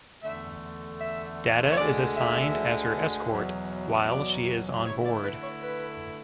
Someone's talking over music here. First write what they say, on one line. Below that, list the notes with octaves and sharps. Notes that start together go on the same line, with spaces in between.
Data is assigned as her escort while she is on board.
E2 D3 A3 E5
E5
C#5
D2 D3 G#3 D5
E5
E2 B2 F#3
D5
D3 A3 E4 C#5
D5
B4
C#5
B4